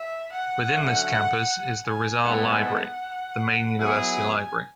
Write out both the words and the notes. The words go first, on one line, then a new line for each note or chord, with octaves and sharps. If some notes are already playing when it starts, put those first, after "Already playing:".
Within this campus is the Rizal Library, the main university library.
Already playing: E5
F#5
D3 F#3 A3 C#4 F#4
G#5
G#2 G#3 B3 E4 A4
F#5
F#3 B3 E4 G#4
G#5